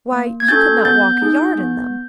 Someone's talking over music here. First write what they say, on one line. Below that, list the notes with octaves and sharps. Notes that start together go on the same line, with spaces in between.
'Why, you could not walk a yard in them!'
A#3
G#6
C#4 F#4 A4 G6 A6
B3 G6 A6
D#4 G#4
B3